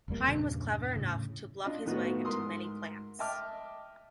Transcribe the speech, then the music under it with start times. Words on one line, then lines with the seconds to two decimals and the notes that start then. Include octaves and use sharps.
Hine was clever enough to bluff his way into many plants.
0.08 F1 E2 G3 A#3
0.28 E2 G2 A#2 C#3
0.96 A2 C#3
1.64 D4 F4 D#5
1.85 A2 D#3 A3 B3 F4 F#4
2.25 G#2 A#4 C6 D#6
3.19 D#5 E5 G5 A5 D6 F6